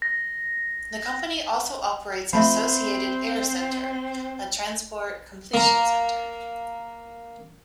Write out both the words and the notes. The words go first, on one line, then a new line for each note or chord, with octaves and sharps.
The company also operates Associated Air Center, a transport completion center.
A#6
F3 A3 C4 E5 B5
A#3 A#5